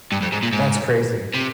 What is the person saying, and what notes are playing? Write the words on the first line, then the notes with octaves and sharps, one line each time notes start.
That's crazy.
G2
F2
G#2
A#2
G#2
C3